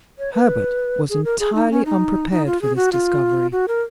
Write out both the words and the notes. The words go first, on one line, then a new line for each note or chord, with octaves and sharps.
Herbert was entirely unprepared for this discovery.
C#5
B4
G#4
A#4
G#4
D#4
C#4
D#4
D#4
F4
G#4
F#4
F4
F#4
A#4